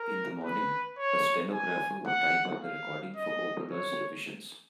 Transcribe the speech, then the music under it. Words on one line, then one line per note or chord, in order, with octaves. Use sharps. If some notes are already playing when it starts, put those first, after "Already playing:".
In the morning, a stenographer would type up the recording for Oboler's revisions.
Already playing: A#4
B4
C#5
G#5
F#5
F5
D#5
C#5